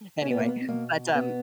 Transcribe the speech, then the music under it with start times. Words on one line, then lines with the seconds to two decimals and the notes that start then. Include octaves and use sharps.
Anyway, but, um
0.22 B2 C#4
0.30 B3
0.39 A#3
0.49 B3
0.68 B2 A#3
1.15 B2 B3